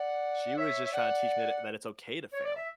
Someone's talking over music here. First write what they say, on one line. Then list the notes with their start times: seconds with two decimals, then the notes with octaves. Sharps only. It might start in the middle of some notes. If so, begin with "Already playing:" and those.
She was just trying to teach me that that it's okay to fail
Already playing: D5 F#5
0.57 C#5 E5
0.85 E5
0.92 D5 F#5
2.33 C#5
2.44 D5
2.56 E5